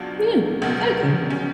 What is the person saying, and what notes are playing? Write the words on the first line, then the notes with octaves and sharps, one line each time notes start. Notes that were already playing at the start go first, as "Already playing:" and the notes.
Yeah, exactly.
Already playing: C#2 B2 F#3 D4 F4
C#2 B2 F#3
C#4